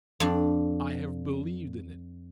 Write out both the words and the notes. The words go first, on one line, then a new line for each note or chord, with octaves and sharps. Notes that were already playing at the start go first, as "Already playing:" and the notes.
I have believed in it.
F2 D4